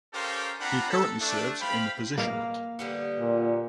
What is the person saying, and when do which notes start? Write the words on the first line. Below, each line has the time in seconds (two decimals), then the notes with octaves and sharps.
He currently serves in the position.
0.13 C#4 G4 A4 A#4 C5 F5
0.60 C4 D4 F4 F#5 A#5 B5
0.90 A4
1.21 A3 D4
1.60 C5 F5 G5 B5
2.18 A#3 F5
2.79 D3 G3 B3
3.19 A#2